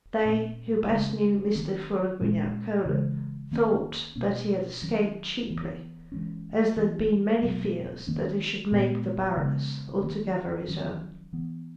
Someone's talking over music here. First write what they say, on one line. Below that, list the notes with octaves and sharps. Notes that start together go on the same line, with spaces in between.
They who best knew Mr. Philogunac Coelebs thought that he had escaped cheaply, as there had been many fears that he should make the Baroness altogether his own.
A#2 A#3 C#4
C#3 G#3 C#4
D#3 A#3 C#4
A#2 G#3 C#4
C#3 E3 G#3
D#3 A#3 C#4
B2 A#3 C#4
D#3 F#3 C#4
E3 B3
E3 G#3 C#4
E3 B3
B2 F#3 B3
D#3 A#3 C#4
A#2 G#3 B3
C#3 G#3 B3
D#3 A#3 C#4
D#3 F#3 C#4
E3 B3